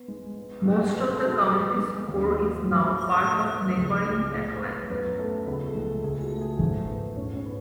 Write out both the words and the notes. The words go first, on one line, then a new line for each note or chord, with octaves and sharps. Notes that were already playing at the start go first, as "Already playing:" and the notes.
Most of the community's core is now part of neighboring Lakeland.
Already playing: B3
G#3
B3
G#3
B2 B3 B4
G#4
A3 A4
B3 F#4
G#4
B3
G#3
D#2
F#3
A2 F#4
A3
A2
B3
C#2
G#3
A2 G#4
B3
F#2 B3 B4
A3 A4
C#2 B3 B4
A3 A4
G#3
A3 A4
C#2 G#4
F#4
A3
G#4
G#2 A3 A4
B3
G#2 C#4 C#5
C#4 C#5
B3